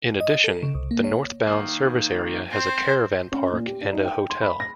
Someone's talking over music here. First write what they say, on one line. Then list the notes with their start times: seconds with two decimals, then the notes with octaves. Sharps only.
In addition, the northbound service area has a caravan park and a hotel.
0.20 D#5
0.44 A4
0.63 C#3
0.75 C2
0.91 A#3
1.04 C#5
1.47 D#3 A#3
2.53 C4 C5
3.32 C#4
3.52 A#2
3.66 G4
3.81 D4
3.92 D#4
4.05 G5
4.30 C6
4.42 B5
4.60 A#6